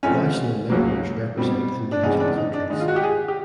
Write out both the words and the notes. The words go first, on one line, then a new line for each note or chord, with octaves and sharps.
National Members represent individual countries.
G#2 F3 A3 C4 C#4
C#2 C#3 F#3 A#3
B2 G3 C4
D4
E2 C#3 E3 G#3 C4 D#4
D4
D#4
D4
G#2 D#3 G#3 D#4
F4
F#4
G4
G#4
G4